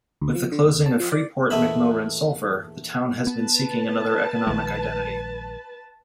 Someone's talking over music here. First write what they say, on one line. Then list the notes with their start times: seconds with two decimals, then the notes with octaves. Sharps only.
With the closing of Freeport-McMoRan Sulphur, the town has been seeking another economic identity.
0.22 D2
0.35 F3
0.52 D3
0.66 D#2
0.86 A5
1.00 F3
1.12 D5
1.50 A#1 E2 A3 D#5 E5 B5
3.27 B3 B4 A5
4.47 A#1 D#3 G#3